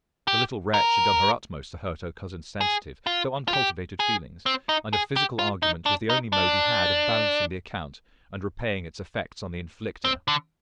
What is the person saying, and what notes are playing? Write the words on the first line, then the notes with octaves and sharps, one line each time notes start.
The little wretch had done her utmost to hurt her cousin's sensitive though uncultivated feelings, and a physical argument was the only mode he had of balancing the account, and repaying its effects on the inflictor.
G4
A#4
G#4
F4
F4
G4
G#4
C4
D#4
G#4
G4
F4
D#4
D4
D#4
D4
C4
D3